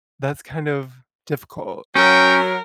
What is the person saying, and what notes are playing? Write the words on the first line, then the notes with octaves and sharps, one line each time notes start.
that's kind of difficult.
F#3 C#4 A#4 G5